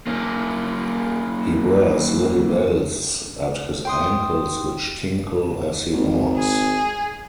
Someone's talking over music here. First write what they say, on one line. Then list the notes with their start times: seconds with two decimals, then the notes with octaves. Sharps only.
He wears little bells at his ankles which tinkle as he walks.
0.07 A#3 C#4
3.85 G5 C6 D#6
5.93 G#1
6.37 G#4